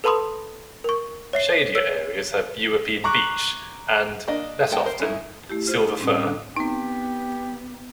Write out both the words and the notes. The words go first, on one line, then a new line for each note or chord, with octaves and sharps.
Shadier areas have European beech and, less often, silver fir.
A4 B4 A5 B5 C6 D#6
A#4 C#6
C#5 E5 C7
C#5 E6 D7
A#5 C#6 D6 F#6
A#3 D4 D#5
G#3 B3 A4 G5
A#4 C5
C#4 D#4 E4
A3 E4 G4
F4 C5 F6
D#4
A2 G3 C4 C#4
D3 D4 A4 A#5
B3 C4 D#4 G4